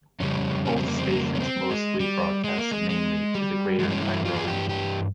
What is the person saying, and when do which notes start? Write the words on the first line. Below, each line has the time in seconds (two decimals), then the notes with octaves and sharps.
Both stations mostly broadcast mainly to the Greater Cairo region.
0.20 F2 C#3 G3 C#4
0.66 C#4
0.76 C4
0.87 A#3
0.97 C4
1.10 A#3
1.35 C#4
1.40 C4
1.70 G#3
2.00 G3
2.44 G#3
2.58 A#3
2.71 G#3
2.90 G#3
3.35 G3
3.79 G2 E3 G3 G#3
3.92 C#4
4.02 E4
4.25 F4
4.36 G#4
4.47 G4
4.69 G4